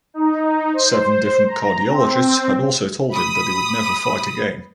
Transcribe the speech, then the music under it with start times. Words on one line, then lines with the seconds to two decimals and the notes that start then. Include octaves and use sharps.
Seven different cardiologists had also told him that he would never fight again.
0.14 D#4
0.73 C5
1.47 A#5
1.88 C4
3.14 B5 D#6